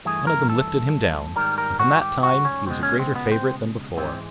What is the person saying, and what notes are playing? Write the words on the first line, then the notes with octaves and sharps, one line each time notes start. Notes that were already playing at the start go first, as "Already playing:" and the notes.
One of them lifted him down, and from that time he was a greater favourite than before.
G2 E3 A3 G#4
A#4
A4
G#2 D#3 G3 A#4
A#4
F#4
G4
F#4
C#4
C#2 B2 G#3 C4
C#4
C4
B3
C4
G#2 E3 G#3 C4